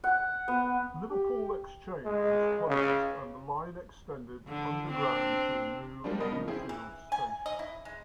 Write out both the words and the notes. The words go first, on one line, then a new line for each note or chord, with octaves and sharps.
Liverpool Exchange was closed and the line extended underground to the new Moorfields station.
F#5
B3
G4
G#3
C#3
D3
C4 D4
G3 G#3 A#3 C4 D4
B3 A#4 D#5 B5
C#3 F3
C4 E4 G#4
E3
G#5
D#5
E4
G#3